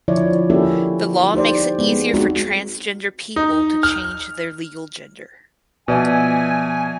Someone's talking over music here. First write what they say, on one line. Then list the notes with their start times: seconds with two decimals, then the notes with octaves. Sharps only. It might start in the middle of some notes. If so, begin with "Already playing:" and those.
The law makes it easier for transgender people to change their legal gender.
0.08 D3 F3 E4 C#5 D5
0.50 A#3 C#4 E4 F#4 G4 A4
1.34 D#4 G4 C5 D5
1.79 G#3 B3
2.14 G#3 C4 D#4 F#4
3.36 D#4
3.83 F6
5.88 B2 F3 D5 E5 G#5